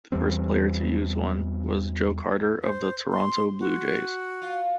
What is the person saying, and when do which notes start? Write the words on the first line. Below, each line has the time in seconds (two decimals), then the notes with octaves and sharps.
The first player to use one was Joe Carter of the Toronto Blue Jays.
0.12 E2 E3 G3 C4
2.63 C5
3.12 C6
3.59 F#4
4.42 F4